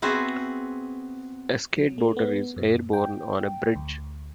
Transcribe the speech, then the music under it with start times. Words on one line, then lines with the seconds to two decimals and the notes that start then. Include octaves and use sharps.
A skateboarder is airborne on a bridge.
0.02 B3 C4 F#4 G#4 E5
1.77 F#3
1.98 A3
2.17 B3
2.56 F#2
2.93 G5
3.76 D2